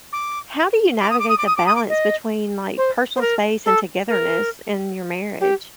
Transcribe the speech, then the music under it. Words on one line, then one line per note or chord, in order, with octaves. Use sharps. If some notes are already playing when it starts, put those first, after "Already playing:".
how do you navigate the balance between, like, personal space and togetherness in your marriage?
D6
D6
D#6
D6
D#6
D6
D#6
D6
D#6
D6
D#5
C5
C5
A#4
A4
A#4
G4